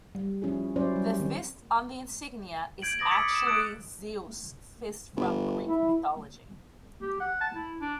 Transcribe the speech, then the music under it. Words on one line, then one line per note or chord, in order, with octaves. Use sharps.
The fist on the Insignia is actually Zeus' fist from Greek Mythology.
G3
F3 C#4 E4 G#4
F#3 C#4 E4 C5 D5
G3
D#3 C4
G6 G#6 D7 F#7
B5 D6 D#6 A6 A#6 F#7
E6 G#6 B6 C#7
D#6 E7
D#6 E6 F#6 A6 C#7 D7
G1
E4
G4
F#5
A5
E4
D4